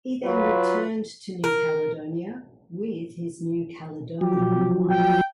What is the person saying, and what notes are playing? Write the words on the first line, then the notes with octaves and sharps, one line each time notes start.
He then returned to New Caledonia with his New Caledonian wife.
F#3 F4 B4
A#4
F3 F#3 G4
G5